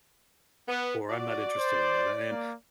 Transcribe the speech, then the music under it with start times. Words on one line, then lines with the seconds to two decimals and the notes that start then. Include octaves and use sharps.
or I'm not interested in that, a and
0.68 B3
1.10 F#4 D5
1.58 C5
2.30 A#3